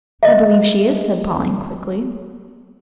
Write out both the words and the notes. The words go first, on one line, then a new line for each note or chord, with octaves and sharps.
"I believe she is," said Pauline quickly.
D#5 E5